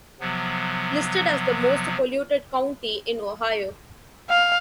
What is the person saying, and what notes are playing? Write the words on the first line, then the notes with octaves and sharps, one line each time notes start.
Listed as the most polluted county in Ohio.
C3 F3 F#3 B3
F5